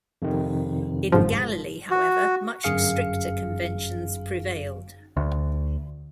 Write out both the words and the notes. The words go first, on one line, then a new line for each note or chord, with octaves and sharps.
In Galilee, however, much stricter conventions prevailed.
F2 C3 D#3
G1 G#2 F3
F#4
G1 F#2 G#4 F5 C#7
D2